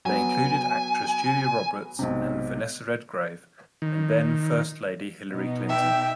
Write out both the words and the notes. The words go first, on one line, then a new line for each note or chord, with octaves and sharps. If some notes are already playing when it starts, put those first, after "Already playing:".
They included actresses Julia Roberts and Vanessa Redgrave and then-First Lady Hillary Clinton.
F#3 B3 G#5
B1 G#2 C3
D#3
B2 B3 D#4
E5 G5